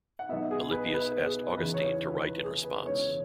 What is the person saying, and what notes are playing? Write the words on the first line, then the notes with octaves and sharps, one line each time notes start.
Alypius asked Augustine to write in response.
F#5
B1 B2 B3 E5
G#4
B4
B4
G#4
E2 C#3 E3 B4
C#5
C#5
B4
B4
G#4
B4
E1 E2 C#3 G#3 C#4 C#5